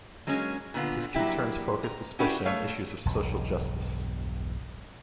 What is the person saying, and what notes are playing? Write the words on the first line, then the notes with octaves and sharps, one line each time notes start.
His concerns focused especially on issues of social justice.
F#3 G#3 A#3 C#4
A#2 D3 B3 F4
F#3 A#3 D4 E4 G4
A#5
C#4 D4 E4 F#4 G4 B4
A3 C#5 F5
E1 B1 G2